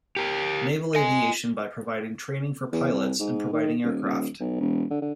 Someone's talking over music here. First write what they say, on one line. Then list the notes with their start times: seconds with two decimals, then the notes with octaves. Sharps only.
Naval Aviation by providing training for pilots and providing aircraft.
0.16 G4 A#4
0.95 D#5 G#5
2.72 E2
2.92 C2
3.20 G#2
3.53 D#3
3.84 D#1
4.03 D#1
4.40 B1
4.60 E1
4.90 D3
5.01 D3